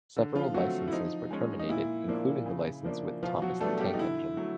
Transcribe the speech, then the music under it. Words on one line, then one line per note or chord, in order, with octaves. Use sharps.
Several licenses were terminated including the license with Thomas the Tank Engine.
D3
F3 F4
F#3 A3 C4 F#4
E4
F3 D#4
G#3 C#4
D#4
A#2 E4
F3 A#3 D4
C#3
F3 A#3 D4
B2 F3 F4
F#3 F#4
G3 A3 B3 D4 A4
G3 G4
D#4
D3 E4
F#3 A3